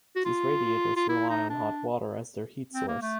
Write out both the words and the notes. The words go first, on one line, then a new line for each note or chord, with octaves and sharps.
These radiators rely on hot water as their heat source.
F#4
F4
F4
E4
D#4
D4
C4
A#3
A3